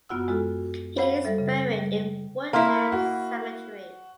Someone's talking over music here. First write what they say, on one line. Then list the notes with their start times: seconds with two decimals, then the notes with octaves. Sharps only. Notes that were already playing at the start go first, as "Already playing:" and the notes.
He is buried in Woodlands Cemetery.
0.09 F#2 B3 F4 F#4 F#5 E6
0.28 G#3 F4 F#4 A4
0.98 C5 F5 F#5 B5
1.24 G3 A4 E5
1.38 C#3
1.78 G3
2.53 A#3 E4 A#4 F5 C6
2.92 F#4